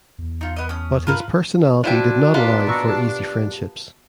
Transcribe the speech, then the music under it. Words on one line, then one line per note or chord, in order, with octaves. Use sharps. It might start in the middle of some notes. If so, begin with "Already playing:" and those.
But his personality did not allow for easy friendships.
E2
D#4 F4
B3 D#5
C#4 D#6
G2 F4 A#4 B4
F3 D4 E4 F#4 G5 D#7
A#3 B3 F4
B2 A#5 C#6 E6 A#6 C#7
G4 A5 C7